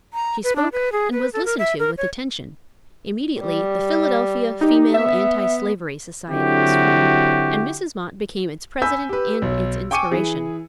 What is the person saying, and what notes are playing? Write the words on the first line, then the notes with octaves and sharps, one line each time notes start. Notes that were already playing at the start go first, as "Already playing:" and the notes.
She spoke, and was listened to with attention. Immediately the Philadelphia Female Anti-Slavery Society was formed, and Mrs. Mott became its president and its inspiration.
A#5
B4
D4
B4
G#4
B4
A4
A#4
E5
A#4
C#5
G3
D#4 G4
B3 E5
D3 F#3 C4 E4 F#4 G4
G#5 B5 E6 G6 B6
G4 B4
B1
G5 G#5 C#6 D6 C#7 D#7
E3 G#4